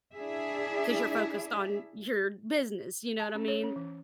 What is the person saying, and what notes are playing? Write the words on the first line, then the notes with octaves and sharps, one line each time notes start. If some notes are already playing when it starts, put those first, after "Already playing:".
'cause you're focused on your business, you know what I mean?
D4 E4 G#4 E5
A5
C#4
C#5
C#4
E3